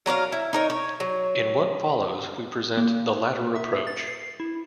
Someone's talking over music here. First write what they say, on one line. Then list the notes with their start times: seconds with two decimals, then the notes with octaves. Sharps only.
In what follows we present the latter approach.
0.06 F#3 A#4 C#5 F5
0.32 E4
0.53 D#4 A#4 C#5
0.70 C#5
1.00 F#3
2.77 A#3
3.56 E5
3.87 A6
4.07 C7
4.40 E4